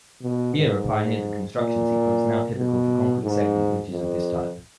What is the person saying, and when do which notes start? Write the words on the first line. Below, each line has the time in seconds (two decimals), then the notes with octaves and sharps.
Viera pioneered the construction sequence now typical for concrete segment bridges of this type.
0.21 B2
0.55 G#2
1.56 A#2
2.56 B2
3.23 G#2
3.89 F2